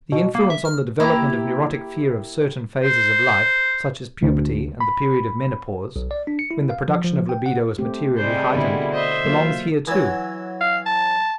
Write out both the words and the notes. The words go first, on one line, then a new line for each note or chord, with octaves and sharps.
The influence on the development of neurotic fear of certain phases of life, such as puberty and the period of menopause, when the production of libido is materially heightened, belongs here too.
B2
A#3
E5
F6
A#3 E4 G4 A#5
C5
D2
B5
B1
D5
D4
C#7
E4
F5
F3
F3
G5
F#5
A3 C4 G4
C3 G3 G#3 C5
B2 D3 B3 E4 G#4
C5 D#5 E5
F#3 A#3 F4
E3 F#3
F5
A5